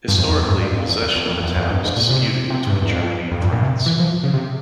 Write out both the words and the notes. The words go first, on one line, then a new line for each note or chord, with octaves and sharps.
Historically, possession of the town was disputed between Germany and France.
G2
F2
E2
F2
G#2
G2
F2
E2
E2
F2
F2
E2
F2
G2
G#2
A#2
C3
C3
G#2
G2
E2
F2
F2
G2
A#2
C3
E3
F3
C#3
C3